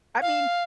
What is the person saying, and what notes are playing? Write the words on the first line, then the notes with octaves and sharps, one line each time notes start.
I mean,
F5